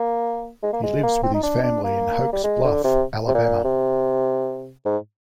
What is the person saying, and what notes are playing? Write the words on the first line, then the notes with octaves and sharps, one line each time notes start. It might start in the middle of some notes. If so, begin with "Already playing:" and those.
He lives with his family in Hokes Bluff, Alabama.
Already playing: A#3
G#3
A#3
G#3
A#3
C4
D#4
D4
D4
A#3
G3
G#3
D3
C3
C3
A#2
C3
G#2